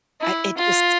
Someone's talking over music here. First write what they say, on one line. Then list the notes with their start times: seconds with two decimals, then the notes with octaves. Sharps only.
I it just
0.21 E4
0.58 F4